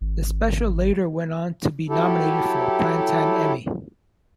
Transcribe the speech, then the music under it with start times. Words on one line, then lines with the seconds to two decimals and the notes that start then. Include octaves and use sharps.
The special later went on to be nominated for a primetime Emmy.
0.01 G#1
1.89 F#3 E4 G4 A4